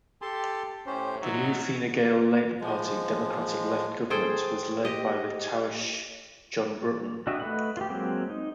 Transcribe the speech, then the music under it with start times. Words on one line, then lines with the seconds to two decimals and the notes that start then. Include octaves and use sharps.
The new Fine Gael-Labour Party-Democratic Left government was led by the Taoiseach John Bruton.
0.22 G4 A4 A5 C6
0.86 A2 C#4 G4 C5
1.22 F#3 D#4 E5
2.61 F3 G#3
4.10 G#4 A4 C5 G5
4.85 G4 D#5
7.27 D4 F#4 G4 D#5 E5
7.40 A3 B4 D#5 F#5
7.77 F4 G4
7.90 F#3 G#3 A#3 C4
8.30 D#4